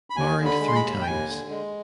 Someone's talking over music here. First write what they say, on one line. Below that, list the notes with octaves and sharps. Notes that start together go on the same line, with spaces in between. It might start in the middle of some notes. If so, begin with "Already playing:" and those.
Married three times.
B5
D#2 G#5
D3
B5
G#3
C6
B5
D#2
G5
D#2 G#5
D3
G#3